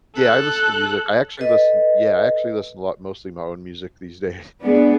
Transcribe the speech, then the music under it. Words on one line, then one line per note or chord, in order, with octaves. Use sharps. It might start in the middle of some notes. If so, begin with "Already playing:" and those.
Yeah, I listen to music, I actually listen yeah, I actually listen a lot mostly my own music these days,
A4 F#6
A4 B4 D#5
B3 D4 G#4